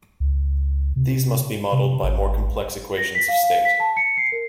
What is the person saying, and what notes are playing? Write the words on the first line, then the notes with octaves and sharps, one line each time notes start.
These must be modeled by more complex equations of state.
C#2
C3
C3
G#1
A#6
B6
F5
F5
B6
A5
C#7
C7
A#4